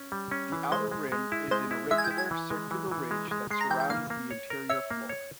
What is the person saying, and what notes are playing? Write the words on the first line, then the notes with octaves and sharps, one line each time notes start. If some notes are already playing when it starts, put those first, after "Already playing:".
The outer rim is an irregular circular ridge that surrounds the interior floor.
Already playing: C#4
G3
C#4
E3
G#3 C5
G#3
G#3
E4
G#3 C5
E4
G#3 E5
G#5
G5
E4
G#5
E3
G#3
E3
E3
G#3
G#3
G#3 C6
A#5
E3 G5
G5
A#3 F5
A#3
C#5
A#4
C#5 E5
A#3
C#5